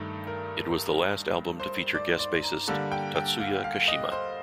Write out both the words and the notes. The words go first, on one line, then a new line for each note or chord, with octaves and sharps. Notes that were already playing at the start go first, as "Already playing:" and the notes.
It was the last album to feature guest bassist, Tatsuya Kashima.
Already playing: G2 D#3 A3
A#4
C5
D5
D5
A#5
D3 G3 A#3 A5
G5
G5
F5
F5
D#5
C5